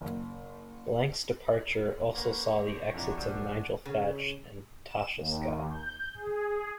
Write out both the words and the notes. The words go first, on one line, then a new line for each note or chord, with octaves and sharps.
Blank's departure also saw the exits of Nigel Thatch and Tasha Scott.
F#1
D3 A#3 C#4 B4 C#5
D#5 G5
F2 D4 E4 F#4 G#5 A#5
A#1 F#2 G3
C#3
E7
D#2
G6
G#4